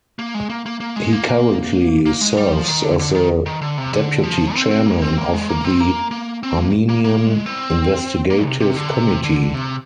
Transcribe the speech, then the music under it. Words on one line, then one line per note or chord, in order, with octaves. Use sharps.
He currently serves as the deputy chairman of the Armenian Investigative Committee.
A#3
G#3
A#3
A#3
A#3
G#3
A#3
A#3
A#3
G#3
G3
F3
D#3
D3
D3
D#3
D#3
D3
C3
D3
F3
C4
C4
A#3
C4
A#3
G#3
A#3
C4
A#3
A#3
C4
A#3
A#3
A#3
G#3
C4
A#3
C3
C3
D3
C3
D3
C3